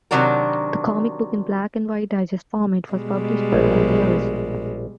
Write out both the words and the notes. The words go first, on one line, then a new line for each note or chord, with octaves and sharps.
The comic book, in black and white digest format, was published for ten years.
C3 D#3 F#3 D4 F#4 A#4
B2 G3 G#3
A#1